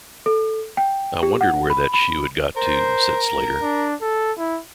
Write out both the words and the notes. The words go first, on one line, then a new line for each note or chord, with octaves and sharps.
"I wondered where that shoe had got to," said Slater.
A4
G5
G4
F#5
B5
B5
A#4 C5
D4
A4
E4